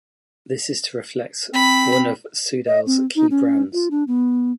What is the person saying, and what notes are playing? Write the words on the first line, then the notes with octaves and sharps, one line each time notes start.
This is to reflect one of Soudal's key brands.
C4 B5
D#5
C4
D#4
C#4
F4
D4
B3